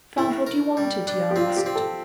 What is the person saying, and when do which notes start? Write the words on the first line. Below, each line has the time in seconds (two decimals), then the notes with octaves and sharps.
"Found what you wanted?" he asked.
0.17 A3 E4
0.47 A#4
0.77 G3
1.07 D4
1.31 G4
1.36 C4 F4
1.57 G4
1.66 C4
1.75 A4